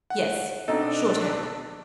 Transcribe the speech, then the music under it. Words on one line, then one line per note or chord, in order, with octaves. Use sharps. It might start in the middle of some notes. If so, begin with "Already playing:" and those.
'Yes, shorthand.
F#5
B2 C4 D4 D#4 A4